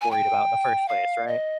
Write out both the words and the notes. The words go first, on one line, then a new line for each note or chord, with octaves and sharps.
worried about in the first place, right?
G#5
G5
F5
D#5